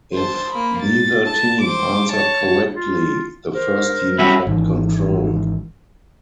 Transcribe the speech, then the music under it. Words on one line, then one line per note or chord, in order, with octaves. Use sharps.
If neither team answered correctly, the first team kept control.
C5 A5
A#3 B5
A6
A5
C5 D6
C#5 A5
F4
A#4 C5
G3 C#4 F#4 E5 B5
G#1 D#3 E3